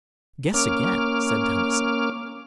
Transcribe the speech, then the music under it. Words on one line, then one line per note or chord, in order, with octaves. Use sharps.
"Guess again," said Tennyson.
A#3 C#4 D6 F6